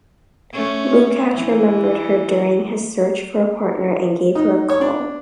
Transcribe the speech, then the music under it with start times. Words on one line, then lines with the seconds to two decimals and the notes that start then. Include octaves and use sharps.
Lucash remembered her during his search for a partner and gave her a call.
0.53 A3 C#4
1.34 E3
4.35 D#4
4.70 C#5
4.81 D4